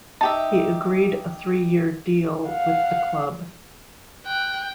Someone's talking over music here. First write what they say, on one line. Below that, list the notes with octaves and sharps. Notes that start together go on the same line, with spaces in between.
He agreed a three-year deal with the club.
D#4 G4 E5 A5
F5 F#5
G5 F#6